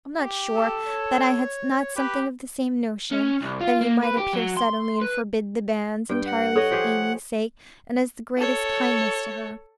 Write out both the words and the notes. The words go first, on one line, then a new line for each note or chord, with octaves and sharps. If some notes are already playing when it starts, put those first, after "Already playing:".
I am not sure that I had not something of the same notion,--that he might appear suddenly, and forbid the banns, entirely for Amy's sake, and as the greatest kindness to her.'
G4
A4
C#5
G4 B4
C#4
C2
F4
A#3
B4
G4
F#3
C6
B4
G2 G5
F#5
A4 C#5 D#5
F3 G4 G#4
A4 C#5